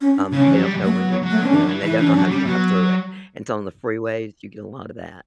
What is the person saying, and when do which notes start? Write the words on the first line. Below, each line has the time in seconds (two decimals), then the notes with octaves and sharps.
Um, they don't know when to you know, and they don't know how to drive through it, and so on the freeways, you get a lot of that,
0.01 C#4
0.16 D4
0.32 C#3 C#4
0.40 D3
0.47 E3
0.55 F#3
0.62 G3
0.73 E3
0.77 F#3
0.85 A3
0.92 B3
1.23 F#3
1.30 A3
1.39 B3
1.42 D3 C#4
1.53 E3 D4
1.63 F#3
1.69 E3
1.84 E3 E4
1.99 E3 D4
2.08 C#4
2.14 F#3 D4
2.31 G3 C#4
2.45 F#3 B3